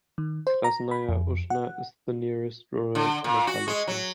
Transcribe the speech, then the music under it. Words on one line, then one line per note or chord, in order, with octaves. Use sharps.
Krasnaya Ushna is the nearest rural locality.
D#3
C5
A#5
B5
F2
F#5
D3
A#2
F#4
G#3
F#3